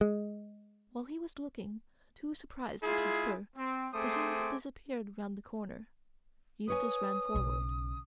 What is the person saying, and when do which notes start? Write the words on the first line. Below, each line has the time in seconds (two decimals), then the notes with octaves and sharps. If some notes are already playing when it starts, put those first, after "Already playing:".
While he was looking, too surprised to stir, the hand disappeared round the corner Eustace ran forward.
0.01 G#3
2.83 G#3 E4 F4 G#4
3.56 C4
3.93 A3 C4 G#4 C5 D6 D#6
6.68 B4 C#5 G#5 D#6
7.35 B1 C#3